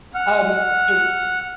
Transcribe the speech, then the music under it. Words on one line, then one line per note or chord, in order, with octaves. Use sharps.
um, so
F#5 F6